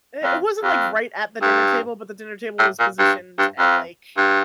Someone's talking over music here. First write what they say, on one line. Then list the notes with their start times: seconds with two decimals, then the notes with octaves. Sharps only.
It it wasn't, like, right at the dinner table, but the dinner table was positioned and, like,
0.24 F2
0.64 F2
1.42 G2
2.60 A2
2.80 A#2
2.99 G2
3.39 G2
3.59 F2
4.18 G2